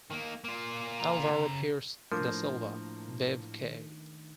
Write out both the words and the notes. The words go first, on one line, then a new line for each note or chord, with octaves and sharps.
Alvaro Pires da Silva, Bev Kay.
D#3 A#3
A#3 F4
C#3 A#5
A2 F3 A3 A#3 D4 A#4 D6
D#3